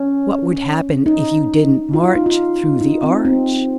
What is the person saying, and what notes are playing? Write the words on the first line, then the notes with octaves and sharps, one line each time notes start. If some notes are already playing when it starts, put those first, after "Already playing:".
"What would happen if you didn't march through the Arch?"
Already playing: C#4
D#4
F4
F4
D#4
F4
D#4
C4
C4